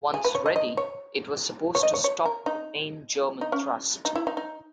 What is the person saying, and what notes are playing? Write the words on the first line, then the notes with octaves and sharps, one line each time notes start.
Once ready, it was supposed to stop the main German thrust.
G#4
B4
C#5
D#5
D#5
C#5
C#5
D#5
C#5
C#5
A#4
D#4
D#4
C#4
D#4
E4
D#4
D#4